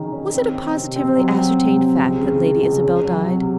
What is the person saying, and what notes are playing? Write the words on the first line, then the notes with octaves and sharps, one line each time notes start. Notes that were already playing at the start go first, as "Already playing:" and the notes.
"Was it a positively ascertained fact that Lady Isabel died?"
Already playing: D#3 C#4 D#4 G#4
C#4
C4
C4
C3
C4
F#3
C4
C3
C4
C#2
C#3
G#3
C#2
C#4
F#3
C3